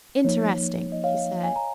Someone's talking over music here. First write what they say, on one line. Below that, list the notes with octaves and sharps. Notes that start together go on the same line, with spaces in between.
"Interesting," he said.
F3 A#3 D#4 C#5
D#5
C#5 F5
G#5
A#5